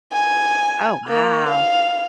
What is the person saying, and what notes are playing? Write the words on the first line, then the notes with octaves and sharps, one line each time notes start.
Oh, wow.
G#5
A#3
F5